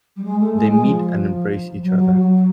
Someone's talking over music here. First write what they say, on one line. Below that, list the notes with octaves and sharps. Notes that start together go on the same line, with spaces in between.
They meet and embrace each other.
G3
G#3
A3
G#3
G#3
F3
F#3
F#3
F#3